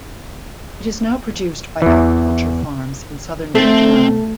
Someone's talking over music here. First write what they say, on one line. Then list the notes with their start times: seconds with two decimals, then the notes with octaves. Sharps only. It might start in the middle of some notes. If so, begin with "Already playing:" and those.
It is now produced by aquaculture farms in southern Vietnam.
1.82 E2 E3
3.55 A3 C4